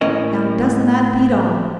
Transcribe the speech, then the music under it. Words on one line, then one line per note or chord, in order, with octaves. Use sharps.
Now, doesn't that beat all?
D2 A2 C#4 A#4 D#5